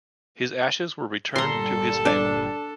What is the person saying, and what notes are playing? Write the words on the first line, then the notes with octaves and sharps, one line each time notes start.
His ashes were returned to his family.
G1 A#2 G3 A4 A#5 C6
D4